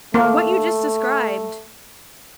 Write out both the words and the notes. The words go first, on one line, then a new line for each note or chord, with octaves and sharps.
what you just described
A3 A#3